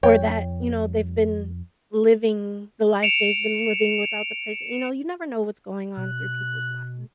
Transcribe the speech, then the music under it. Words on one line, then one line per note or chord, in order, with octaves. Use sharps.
or that, you know, they've been living the life they've been living without the person you know, you never know what's going on through people's minds,
F2 C#5 G5
C#7 D7 E7 F7
B2 F#6